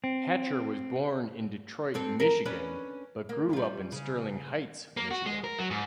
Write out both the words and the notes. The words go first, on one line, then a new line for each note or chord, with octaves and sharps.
Hatcher was born in Detroit, Michigan, but grew up in Sterling Heights, Michigan.
C4
G2 C4 A4
A#4
C#4 D4 B4
A#3
G3 F4
C#3
A#3
F#4
G#3
A#4
F#3
G#2